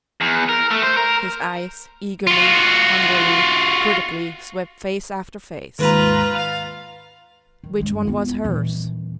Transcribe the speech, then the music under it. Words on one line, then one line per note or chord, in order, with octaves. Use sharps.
His eyes, eagerly, hungrily, critically, swept face after face. Which one was hers?
E2
A#4
A3
C5
A#4
F4 F#4
D#2 G#2 F4 B4 A#5
F5 F6 A6
D#3
G2 G#3
B3 F4
D#1 E3